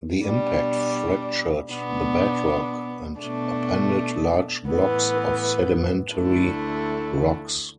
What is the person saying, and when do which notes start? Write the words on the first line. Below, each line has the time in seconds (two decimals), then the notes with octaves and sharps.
The impact fractured the bedrock, and upended large blocks of sedimentary rocks.
0.24 B2 G3 D4
1.71 B2 B3 D4
3.19 B2 A3 D4
4.68 A2 E3 B3
6.16 D2 D3 A3 E4